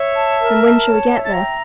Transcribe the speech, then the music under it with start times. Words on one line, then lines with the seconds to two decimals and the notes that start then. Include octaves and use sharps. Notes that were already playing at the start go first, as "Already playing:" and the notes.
"And when shall we get there?"
Already playing: C#5 E5
0.16 A5
0.40 A#4
0.63 A5
0.86 C#5
1.10 E5
1.25 A5
1.33 G5 A#5